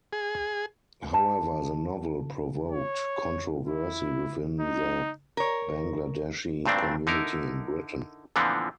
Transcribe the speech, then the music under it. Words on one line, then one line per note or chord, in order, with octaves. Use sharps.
However the novel provoked controversy within the Bangladeshi community in Britain.
G#4
A5
C#5
E4
D#4
A#4 C#5
G2 A#2 A3 C4 D4
D3 D#4 E4 A#4
A#2 D3 E3 F3 B3 C4